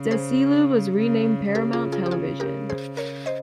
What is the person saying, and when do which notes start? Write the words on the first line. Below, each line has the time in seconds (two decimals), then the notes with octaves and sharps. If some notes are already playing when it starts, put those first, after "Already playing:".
Desilu was renamed Paramount Television.
Already playing: C#3
0.11 G#4 C5
0.97 C#3
1.55 C#3 G4 A#4
1.73 F4 G#4
1.92 F4 G#4
2.06 G4
2.11 F4 G#4
2.40 G4 A#4
2.70 G#4 C5
2.97 A#4 C#5
3.26 C5 D#5